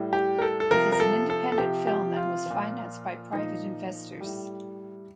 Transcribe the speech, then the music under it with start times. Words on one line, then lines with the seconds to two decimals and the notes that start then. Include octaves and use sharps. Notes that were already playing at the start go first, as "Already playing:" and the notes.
It is an independent film and was financed by private investors.
Already playing: A2 G3
0.13 G4
0.38 A#4
0.42 A4
0.60 A4
0.71 C3 F3 A#4
0.92 A#4
1.00 A4
1.30 A4
1.52 A4
1.58 C3 F3 G4
1.87 G4
2.16 F4
2.46 A#2 F3
3.33 A#2 F3 D#4
4.20 A2 G3